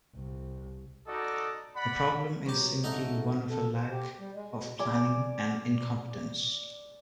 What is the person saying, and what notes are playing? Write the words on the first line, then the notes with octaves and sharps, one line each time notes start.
The problem is simply one of a lack of planning and incompetence.
C2
D#4 F#4 A4 D5 D#5
D5 F#5 B5
B1 G4 C#5
G#2 D3 D#4 E5 A#5
A4
C5
G4
G3
G#3
B2
D5 G#5